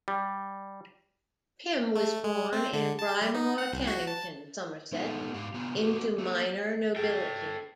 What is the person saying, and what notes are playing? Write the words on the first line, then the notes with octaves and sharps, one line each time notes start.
Pym was born in Brymore, Cannington, Somerset, into minor nobility.
G3
A3
G#3
C4
D3
A5
G3
D#4
F#5
C2
F#4
A5
G#3 B3 D#4 F4 A4 F#5
G#2 G4 F5
C3 B3 F4 A#5
A#3 F#4 G4 B4
A#3 A4
A4 G5